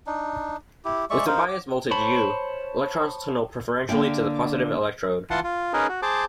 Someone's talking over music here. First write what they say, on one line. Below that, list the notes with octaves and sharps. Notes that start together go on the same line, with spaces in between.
With a bias voltage "U", electrons tunnel preferentially to the positive electrode.
D4 D#4
E4 G4
G#3 D5 E5 C#6
D#4 A#4 C5 F5
D6
C5 C#5 A5 B5
D3 A#3 D5 G5
E3 F4 F#5 A5 C6
F4
C#4 D#4 G#4 A#4 B4
F#4
G#4 C5 A5 D6